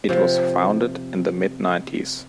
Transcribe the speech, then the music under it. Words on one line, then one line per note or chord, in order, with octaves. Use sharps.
It was founded in the mid-nineties.
C3 F3